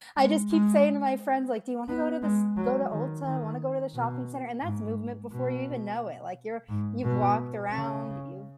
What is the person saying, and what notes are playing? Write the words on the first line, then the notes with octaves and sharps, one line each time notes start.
I just keep saying to my friends, like, "Do you wanna go to the st go to Ulta? Wanna go to the shopping center?" And that's movement before you even know it, like, you're you've walked around, you've
G#3
G#3
B3
G#3
F#3
D#3
D#3
B2
G#2
B2
G#2
B2
C#3